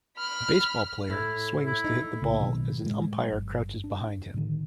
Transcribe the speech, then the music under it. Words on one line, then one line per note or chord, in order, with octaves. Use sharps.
A baseball player swings to hit the ball as an umpire crouches behind him.
B5 F6
A2 E4
E4
D#4
B1 C#3 A#3
B2 D#3 F#3
A2 F#3 G#3
G1
D4
A2 D3 D#3